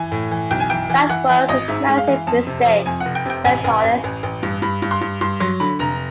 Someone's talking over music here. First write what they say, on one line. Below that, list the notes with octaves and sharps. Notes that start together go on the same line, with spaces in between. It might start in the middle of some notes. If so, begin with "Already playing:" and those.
"That was a massive mistake," said Hollis.
Already playing: E3 G#5
A2
E3
B1 G5
G#5
E3 G5
E3
E3 F#5
E3
G#1 D#5
G#2 E5
G#3
F5
E3
F2 A5
C3
F3
F2 G#5
F1 F#5
G5
C3 G5
A1 G#5
A1
A1
A1
A1
G2
G2 B5
G2
C6
G2
G2 C6
F#3 C6
D3 B5
F1 A#5